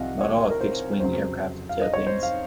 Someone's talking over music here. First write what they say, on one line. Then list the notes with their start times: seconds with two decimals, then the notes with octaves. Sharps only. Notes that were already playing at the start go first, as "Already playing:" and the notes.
Not all fixed-wing aircraft have tailplanes.
Already playing: C2 C3 F3 C4 F4 D#5 F5 F#5
0.21 C#5
0.51 A#4
0.61 C5
1.00 F2 C#3 F#3 C5
1.69 F5
1.82 D#5
1.94 C#5
2.07 C5
2.23 F5